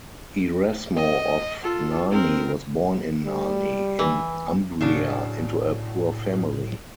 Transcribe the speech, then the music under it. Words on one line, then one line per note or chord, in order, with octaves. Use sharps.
Erasmo of Narni was born in Narni, in Umbria, into a poor family.
D#5
F4 A4
C4 A#4
G3
E3
A2 C#3 F#3 D4